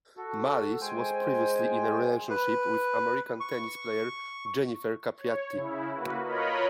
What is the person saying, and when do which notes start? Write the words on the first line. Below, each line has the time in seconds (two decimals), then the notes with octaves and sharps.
Malisse was previously in a relationship with American tennis player Jennifer Capriati.
0.17 F#4 A4
0.81 G#3 C5 G5 G#5
2.30 B4
3.40 C#6
5.17 C#5
5.53 C#3 E4
5.94 A#3 F#4 B4
6.23 F4 A#4 B4 C#5 D#5 B5